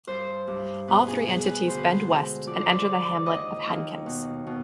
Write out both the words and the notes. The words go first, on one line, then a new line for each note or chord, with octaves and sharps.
All three entities bend west and enter the hamlet of Hankins.
G2 C5
G2
B2 B4
G#4
B2 G#4
B4
D2 C5
B4
C5
G#3
F2 D5
C5
D5
F2
D#2 D#5
D#2
B2
B2